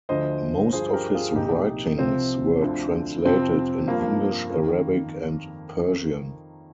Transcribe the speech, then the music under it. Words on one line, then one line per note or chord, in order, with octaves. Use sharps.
Most of his writings were translated in English, Arabic, and Persian.
D2 D3 F3 C5 D#5
G2 F3 G#4 C5
G4 A#4
F4 G#4
C2 A#2 F3 D#4 G4
C2 C3 F3 C4
D2 D3 F3
F2 C3 F3 C4
G2 F3 A#3
F2
D#3